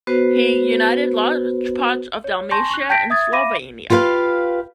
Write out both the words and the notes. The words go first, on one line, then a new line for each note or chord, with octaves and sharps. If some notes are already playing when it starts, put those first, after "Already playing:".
He united large parts of Dalmatia and Slavonia.
B3 F#4 B4 C5
C#5
G#5 A5 C6 C#6 G6 A#6
C#6 F#6
G5 A5 G6 A#6 B6 D7
E5 D#6 G#6 A6
E5 F5 B5 D6 A#6 D#7
F4 G4 B4 F5